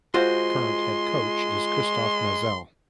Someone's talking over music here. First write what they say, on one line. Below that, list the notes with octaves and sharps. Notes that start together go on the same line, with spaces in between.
Current head coach is Christophe Mazel.
G#3 F4 F#4 C5 C6